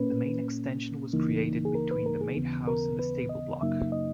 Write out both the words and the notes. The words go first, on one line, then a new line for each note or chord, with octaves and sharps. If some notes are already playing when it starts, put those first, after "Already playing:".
The main extension was created between the main house and the stable block.
Already playing: A#2 A#3 C#4 B4
C#2 C#3 E3 A#3 D#4
G#4
A#4
B4
A#4
G#4
D#2 C#3 E3 B3
A#4
B4
D#5
F#2 C#3 F#3 A#3 D#4 E5
D#5